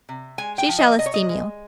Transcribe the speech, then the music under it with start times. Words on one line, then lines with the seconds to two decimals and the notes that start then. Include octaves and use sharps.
She shall esteem you.
0.09 C3
0.38 G#3 G#5
0.58 G5
0.69 F3
0.79 D#5
0.99 C3 D#5
1.06 C#5
1.14 D#5
1.29 G#3